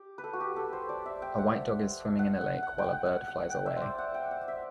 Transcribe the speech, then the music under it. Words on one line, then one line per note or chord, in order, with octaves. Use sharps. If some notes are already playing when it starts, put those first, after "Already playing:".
A white dog is swimming in a lake while a bird flies away.
Already playing: G4
B4
A4
F#4
G4
A4
C5
D5
E5
G5
F#5
F#5
F#5
F#5
G5
F#5
F#5
F#5
G5
E5
C5 D5
F#5
G5
F#5
E5